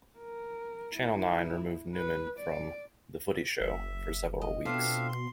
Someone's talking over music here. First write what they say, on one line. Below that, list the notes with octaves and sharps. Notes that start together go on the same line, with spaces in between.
Channel Nine removed Newman from "The Footy Show" for several weeks.
A#4
E4
B4
D5
F#1 E5
D#5
B2 C4 D4 F4 A4 E5 F5
C6